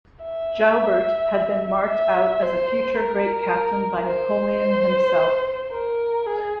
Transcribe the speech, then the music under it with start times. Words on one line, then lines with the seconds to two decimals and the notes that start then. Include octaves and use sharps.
Joubert had been marked out as a future great captain by Napoleon himself.
0.23 E5
1.87 E5
2.42 C5
2.97 A#4
4.07 C5
5.72 A#4
6.26 G#4